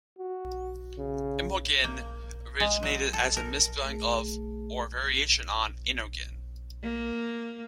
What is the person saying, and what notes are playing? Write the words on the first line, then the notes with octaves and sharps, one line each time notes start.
Imogen originated as a misspelling of, or variation on, Innogen.
F#4
C#3
A#3
G#3
F#3
A4
A#4
A3 G#4
A#3